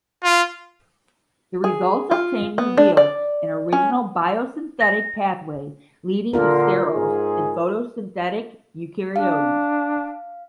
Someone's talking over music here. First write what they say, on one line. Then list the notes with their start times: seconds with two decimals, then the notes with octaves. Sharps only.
The results obtained revealed an original biosynthetic pathway leading to sterols in photosynthetic eukaryotes.
0.24 F4
1.64 G#4
2.11 F4
2.58 B3
2.77 D4
2.97 D5
3.73 C#4
4.81 A#6
6.33 A#2 D3 F4 A#4
6.94 G#2 G#4
9.16 D4 F5